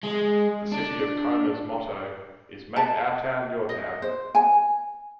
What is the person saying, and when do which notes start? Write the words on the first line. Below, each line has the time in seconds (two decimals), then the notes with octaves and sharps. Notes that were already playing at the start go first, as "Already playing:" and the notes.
The City of Comer's motto is "Make Our Town Your Town".
0.03 G#3
0.72 D4
2.76 A5
3.69 D#5
4.02 C5
4.35 G#5